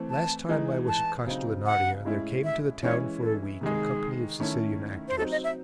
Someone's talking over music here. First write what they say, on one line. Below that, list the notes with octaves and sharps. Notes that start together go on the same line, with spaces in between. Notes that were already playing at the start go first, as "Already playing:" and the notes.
Last time I was at Castellinaria there came to the town for a week a company of Sicilian actors.
Already playing: E3 A3 C4
A5
E3 G#3 D#4
A5
C#3 F#3 C4 D#4
F#5
A2 G#3 C#4 E4
E5
E3 G#3 C#4 E4 C#5
A4
C3 D#3 G#3 G#4
D#3 A3 C#4 E4
C5
F#3 C4 D#4 A4
D#5
E5